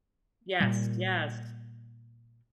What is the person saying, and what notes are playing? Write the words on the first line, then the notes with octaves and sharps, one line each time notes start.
Yes, yes.
A#2 G3